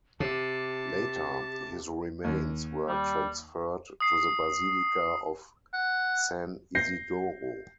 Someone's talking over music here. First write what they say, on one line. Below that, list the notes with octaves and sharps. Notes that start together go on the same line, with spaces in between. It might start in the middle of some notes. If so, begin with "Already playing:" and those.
Later, his remains were transferred to the Basilica of San Isidoro.
C3 G4 A5
D#2
G3
D#6 C7
F#5
G6 A#6 C7